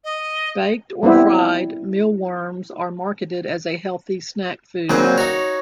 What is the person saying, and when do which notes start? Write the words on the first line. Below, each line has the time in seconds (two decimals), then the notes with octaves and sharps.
Baked or fried mealworms are marketed as a healthy snack food.
0.04 D#5
1.03 G3 B3 C4 E4
4.89 A#2 C#3 F#3 C4 F#5
5.18 D#4 F#4 C#5